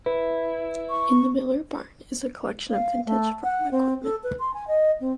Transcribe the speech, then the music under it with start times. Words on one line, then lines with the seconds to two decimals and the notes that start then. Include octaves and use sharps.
In the Miller Barn is a collection of vintage farm equipment.
0.06 E4 B4
0.90 C#6
2.71 F5
3.06 A3
3.44 F#5
3.71 C4
4.03 A4
4.23 B4
4.39 C6
4.54 G#5
4.68 D#5
5.01 C4